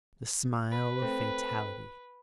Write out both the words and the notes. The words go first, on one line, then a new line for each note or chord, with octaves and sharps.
The smile of Fatality!
B4
A3 C4